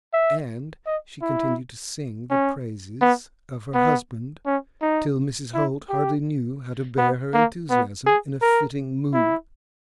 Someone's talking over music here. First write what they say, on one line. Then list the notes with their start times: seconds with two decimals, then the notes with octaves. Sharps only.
And she continued to sing the praises of her husband till Mrs. Holt hardly knew how to bear her enthusiasm in a fitting mood.
0.13 E5
0.86 D#5
1.22 E4
2.30 C#4
3.02 B3
3.74 B3
4.46 C#4
4.82 D#4
5.54 E4
5.89 G4
6.98 B3
7.34 A#3
7.70 B3
8.07 G#4
8.42 A#4
9.14 E4